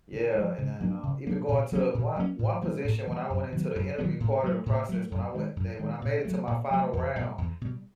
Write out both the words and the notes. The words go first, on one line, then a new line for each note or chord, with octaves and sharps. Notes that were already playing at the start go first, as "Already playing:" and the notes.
yeah, and then, uh, even going to one one position when I went into the interview part of the process when I went, they when I made it to my final round.
D3
F3 G#3
C#3
F#3 A#3 D4
C#3
F#3 A#3 D4
A#2
F#3 A#3 C#4
A#2
F#3 A#3 C#4
A2
E3 G3 A#3
A2
E3 G3 A#3
F#2
D#3 F#3 B3
F#2
D#3 F#3 B3
A2
F#3 A3
A2
F#3 A3
F#2
D#3 G#3
F#2
D#3 G#3
A#2
F#3 A3
A#2
F#3 A3
E2
B2 G3
E2
B2 G3